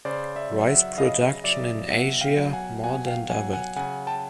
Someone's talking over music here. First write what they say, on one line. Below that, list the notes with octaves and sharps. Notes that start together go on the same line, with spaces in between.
Rice production in Asia more than doubled.
C#3 C5 D5
D5 E5
F#3
E5 F#5
C#3 D#5 F5
F#3 D5 E5
B2 E5 F#5
F5 G5
F#3
F#5 G#5
B2 F#5 G#5
F5 G5
F#3 F#5 G#5
F#5 G#5
C#3 F#5 G#5
G5 A5